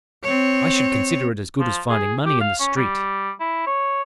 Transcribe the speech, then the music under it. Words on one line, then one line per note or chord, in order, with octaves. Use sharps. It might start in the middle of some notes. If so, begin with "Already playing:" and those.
'I should consider it as good as finding money in the street.'
C4 C#5
F3
G#4
G4
F5
C#4
G3
E4
C#5